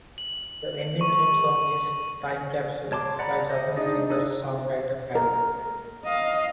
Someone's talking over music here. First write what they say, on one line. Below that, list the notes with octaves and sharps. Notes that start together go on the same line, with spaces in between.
The ending theme song is "Time Capsule" by Japanese singer-songwriter As.
F#7
C#6
C#5 A5 C6 D6
D5 F#5 A#5 B5
C5 D#5
D4 D#4 G#4 D5 D#5
D#4 G#4 A4 B4 D5
A#4
D#5 F5